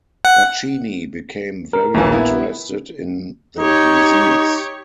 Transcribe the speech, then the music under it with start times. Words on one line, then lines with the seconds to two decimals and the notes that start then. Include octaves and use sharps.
Pacini became very interested in the disease.
0.25 F#5
1.73 A#4
1.94 A#1 D#2 E3 F4 G#5
2.12 B3 E4
3.59 D#4 G4 C#5